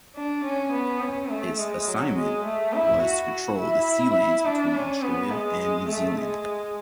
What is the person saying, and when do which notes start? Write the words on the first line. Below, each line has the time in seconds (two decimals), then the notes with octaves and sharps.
His assignment was to patrol the sea lanes between Australia and New Zealand.
0.16 D4
0.44 C#4
0.73 B3
1.02 C#4
1.30 A3
1.58 G#3
1.88 F#3
2.16 G#3
2.45 A3
2.74 E4
3.01 F#4
3.59 E4
4.46 D4
4.74 C#4
5.02 B3
5.31 G#3
5.89 A3
6.17 G#3